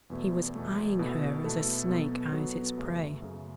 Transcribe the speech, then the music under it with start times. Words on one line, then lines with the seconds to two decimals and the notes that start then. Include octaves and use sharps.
He was eying her as a snake eyes its prey.
0.10 E2 B2 A3
0.55 E2 B2 A3
0.99 B2 A3 E4 A4
1.44 B2 A3 E4 A4
1.88 B2 F#3 B3 A4
2.32 B2 F#3 B3 A4
2.77 F#2 C#3 A3
3.22 F#2 C#3 A3